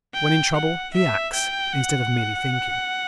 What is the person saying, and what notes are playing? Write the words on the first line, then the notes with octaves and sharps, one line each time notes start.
When in trouble he acts, instead of merely thinking.
G5
F#5
E5
G5
F#5